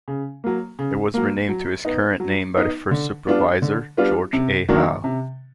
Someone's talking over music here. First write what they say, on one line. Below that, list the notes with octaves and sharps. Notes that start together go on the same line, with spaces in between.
It was renamed to its current name by the first supervisor, George A. Howe.
C#3
F#3 A#3
C#3
F#3 A#3
F#3
B3 D#4
F#3
B3 D#4
D3
G3 B3 D4 F4
D3
G3 B3 D4 F4
C3
D#3 F#3 A#3 D4
C3